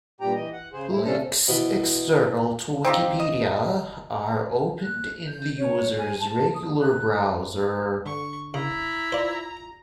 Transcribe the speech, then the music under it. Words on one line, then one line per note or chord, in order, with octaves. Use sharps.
Links external to Wikipedia are opened in the user's regular browser.
G2 A#2 G3 G4 G5 A#5
E3 D#5
F#5
C#3 G#4 C5
A2 E4
C3 F3 A3 C#4 D4 A4
B2 E3
C4 D#4 F4 G4
D#5
F#6
G6
C#5
G#5
A5
D#6
F#6
D3 C#6
C#3 E4 A#5
F4 C5 D5